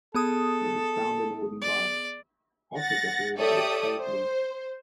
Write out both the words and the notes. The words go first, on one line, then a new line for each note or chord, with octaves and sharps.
It was found in a wooden box, also decorated with gold leaf.
B3 G#4 A4 D#6
D5
F#5 A6 A#6
G4 A4 C#5 D5 E5 D#6
C5